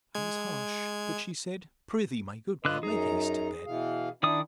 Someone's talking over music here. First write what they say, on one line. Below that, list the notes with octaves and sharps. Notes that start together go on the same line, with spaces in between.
I was hush; but she said, Pr'ythee, my good girl, make haste to bed.
G#3 G#6
D3 F4 B4 D#5 F#6
F#2 D#4 G#4 A#5
B2 E3 F5
D#3 D4 E4 D5 D#6